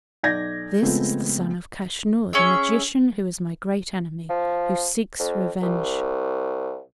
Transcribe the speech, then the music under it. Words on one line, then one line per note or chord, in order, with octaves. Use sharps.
This is the son of Kaschnur, the magician, who is my great enemy, who seeks revenge.
B1 D5 G6 G#6 A#6
C#3 F3 G#3 A3 B3 C4
C#4 G#4 E5
F3
F2
C2